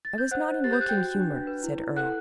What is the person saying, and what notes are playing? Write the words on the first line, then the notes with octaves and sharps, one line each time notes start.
"I was not in working humor," said Earle.
A6
G6
C5 F#5 F#6
C5
G4 A6
G6
G4 F#6
G5 G6
F#4
D4
B4
B4
E4
E4
A4 F#5 F#6